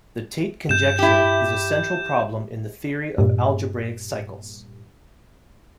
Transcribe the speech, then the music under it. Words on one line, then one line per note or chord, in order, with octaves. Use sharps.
The Tate conjecture is a central problem in the theory of algebraic cycles.
G2 G6 E7
E4 G4
G2 A#2